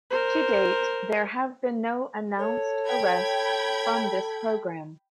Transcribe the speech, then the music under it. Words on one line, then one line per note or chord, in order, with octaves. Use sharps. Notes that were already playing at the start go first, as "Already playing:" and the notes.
To date, there have been no announced arrests from this program.
A#4 C5
A4 C#5
G5 B5 G#6